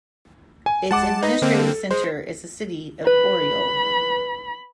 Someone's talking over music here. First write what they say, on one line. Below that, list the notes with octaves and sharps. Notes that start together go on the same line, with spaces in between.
Its administrative center is the city of Oryol.
G#5
G#3 F#5 A5 D6
D#4 B4 D#5
D3 A#3 C4
A4
G#3 C5
B4 B5